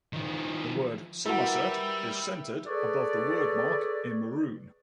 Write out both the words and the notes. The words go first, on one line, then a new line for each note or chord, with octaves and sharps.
The word "Somerset" is centered above the wordmark in maroon.
D#3 F3
G3 E4 F#4 A#4 B4 E5 F#5 E6
G#4 A4 B4 C#5 D5